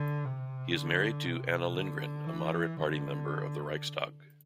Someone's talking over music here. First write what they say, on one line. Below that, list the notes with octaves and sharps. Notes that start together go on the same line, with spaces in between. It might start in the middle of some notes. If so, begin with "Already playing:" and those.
He is married to Anna Lindgren, a Moderate Party member of the Riksdag.
Already playing: D3
C3
D3
C3
D3
E3
D3